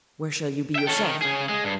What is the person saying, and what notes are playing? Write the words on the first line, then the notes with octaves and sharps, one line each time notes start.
"Where shall you be yourself?"
E5 G5
C#4 A4
D#3
C#3 G#4
G#3
G2